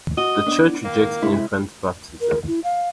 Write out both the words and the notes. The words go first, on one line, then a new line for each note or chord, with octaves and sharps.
The church rejects infant baptism.
F#4 D#5
B3 D4
D#3 A#3
C3 G#3 E4
A#4
E4
F5